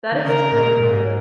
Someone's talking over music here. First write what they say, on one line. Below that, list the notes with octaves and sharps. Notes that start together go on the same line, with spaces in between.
That is so cute.
D#3
C#3 A#4
A#2
G#2